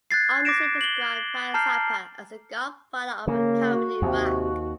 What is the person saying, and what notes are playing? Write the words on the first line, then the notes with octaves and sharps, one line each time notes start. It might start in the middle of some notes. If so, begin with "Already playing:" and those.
Allmusic described Frank Zappa as the "godfather" of comedy rock.
F#6 G#6 A6 C7
D6 A6 A#6 D7 E7
F#7 G7
A5 A#5 F6 G6 C7
C#3 A#3
F#4
D#2 C3